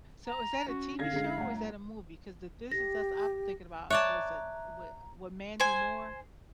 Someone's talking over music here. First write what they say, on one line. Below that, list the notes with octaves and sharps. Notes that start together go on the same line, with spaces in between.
So, is that a TV show or is that a movie? 'Cause the "This Is Us" I'm thinking about was a wa wa Mandy Moore
A#5
C#4 F#4
D3 F5 G#6 A#6
D3 G#3 C7
G2 A3 F#5 A#5
G4 A#6
C#5 D5 E5 A5 A#5 F#6
C5 G#5